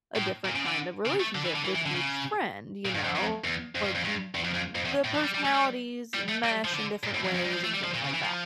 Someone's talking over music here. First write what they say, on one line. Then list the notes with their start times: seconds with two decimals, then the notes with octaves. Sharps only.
a different kind of relationship with each friend, you know? Like, you the personalities mesh in different ways and things like that.
0.16 A2
0.45 A#2
0.56 C#3
0.66 D3
1.06 C#3
1.20 A3
1.35 D3
1.45 E3
1.55 D3
1.65 E3
1.75 E3
1.86 D3
1.95 C#3
2.85 A#2
2.95 G2
3.04 F2
3.15 F2
3.44 E2
3.75 F2
3.84 G2
3.95 F2
4.05 G2
4.35 E2
4.44 F2
4.54 F2
4.75 F2
4.85 E2
5.04 A2
5.15 E3
5.24 G3
5.35 G3
5.45 A3
5.54 G3
6.14 G3
6.29 A3
6.44 G3
6.65 F3
6.74 D3
7.03 A#2
7.14 A2
7.24 F2
7.34 F2
7.44 G2
7.53 F3
7.64 A3
7.74 G3
7.84 F3
7.94 A#2
8.04 C#3
8.14 E3
8.23 F3